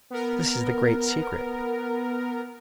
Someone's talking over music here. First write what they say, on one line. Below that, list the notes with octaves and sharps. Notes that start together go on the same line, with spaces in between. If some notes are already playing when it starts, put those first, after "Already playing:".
This is the great secret.
B3 A#4